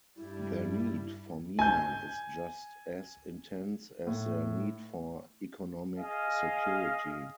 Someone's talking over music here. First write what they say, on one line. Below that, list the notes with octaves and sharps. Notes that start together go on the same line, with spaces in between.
Their need for meaning is just as intense as their need for economic security.
G2 G3 E4
G#5 G6
A2
G#4 D#5 F5